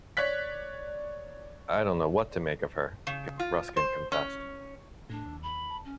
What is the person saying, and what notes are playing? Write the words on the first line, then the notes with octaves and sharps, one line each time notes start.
'I don't know what to make of her', Ruskin confessed.
C#5 D5 F#6 B6
C#3
F4
C5
C#4
A2 D4
D#2
B5
A5
C#4